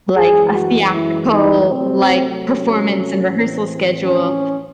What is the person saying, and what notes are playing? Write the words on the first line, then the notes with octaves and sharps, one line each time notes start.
like, a theatrical, like, performance and rehearsal schedule,
F#2 E3 G#3 G#4
F#4
E4
D#4
C3 F#3 A3 C4
C#4
A2 E3 C4
C#4